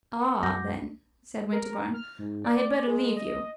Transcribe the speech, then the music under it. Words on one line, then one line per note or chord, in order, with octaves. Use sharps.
"Ah, then," said Winterbourne, "I had better leave you."
F#5
F#2 D6 G6 A#6
A#4
F6
G#2
D5
G#3
D#5